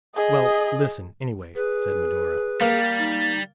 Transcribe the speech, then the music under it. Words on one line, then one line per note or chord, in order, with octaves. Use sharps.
"Well, listen, anyway," said Medora.
G#4 D#5
G#4 B4
G3 A#3
D#4